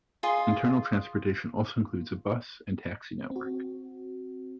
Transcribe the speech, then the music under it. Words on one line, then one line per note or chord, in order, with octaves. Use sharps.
Internal transportation also includes a bus and taxi network.
F4 G#4 D#5 C6
C4 F#4